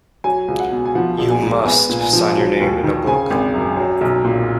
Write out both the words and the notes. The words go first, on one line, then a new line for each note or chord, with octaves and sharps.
You must sign your name in a book.
F#3 G#5
C#2
F#5
B2
G#5
F3 F#5
A#1
G#5
G#2
B3 G#5
A#2
G#5
F3
F#3
D#2
D#3
C#3 G#5
G#1
F#2
F#3
B1
A#2